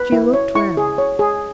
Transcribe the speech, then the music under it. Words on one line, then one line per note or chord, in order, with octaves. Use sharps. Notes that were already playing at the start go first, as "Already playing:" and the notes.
She looked round.
Already playing: B4
E4
C#5
E4 C#6
G#4
C#5
G#4